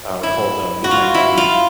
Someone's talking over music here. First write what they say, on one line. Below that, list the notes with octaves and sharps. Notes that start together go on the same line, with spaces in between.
uh, called, uh, Midnight Diner,
E4
F#4
F4
E4
F4